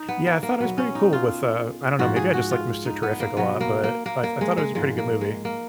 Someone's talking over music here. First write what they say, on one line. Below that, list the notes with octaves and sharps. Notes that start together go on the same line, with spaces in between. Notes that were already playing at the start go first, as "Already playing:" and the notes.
Yeah, I thought it was pretty cool with, uh I don't know, maybe I just like Mr. Terrific a lot, but I I thought it was a pretty good movie.
Already playing: D#4
B3
A#3
A#3
B2 F#3 B3
C#4
D#4
F4
G#2 F3 F#4
G#4
F#4
F4
D#4
B3
A#3
B2 F#3 B3
A#3
A#3
A#3
A#3
G#3
G#3
G#2 F3 G#3
A#3
G#3
A#3